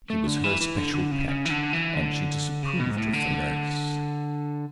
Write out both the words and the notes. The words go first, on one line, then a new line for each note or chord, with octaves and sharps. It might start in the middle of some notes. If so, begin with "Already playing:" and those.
He was her special pet, and she disapproved of the nurse.
A3
D3
E3
E3
D3
D3
C#3
C#3
E3
D3
E3
D3
C#3
B2
G#2
A2
D3